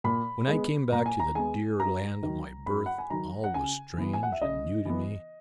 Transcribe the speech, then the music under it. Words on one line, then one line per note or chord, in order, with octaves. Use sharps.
When I came back to the dear land of my birth, all was strange and new to me.
A#2 B5
G#3 B3
A#2 A#5
G#5
A#5
G#3 B3 G#5
F#2 A#5
D#3 F#3
F#2 B5
F#5
G#5
D#3 F#3 A#5
F#5
C#3 G#5
E3 B3
G#5
F#5
E5
C#3 D#5
E3 B3